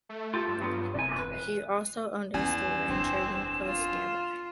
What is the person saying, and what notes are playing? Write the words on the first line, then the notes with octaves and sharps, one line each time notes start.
He also owned a store and trading post nearby.
A3
F4 G4 A4
G2
F#3 B3 F4
E1 C3 G#5
B4
E2 F3 C#4 G#5 E7
F#1 C4 D4
F4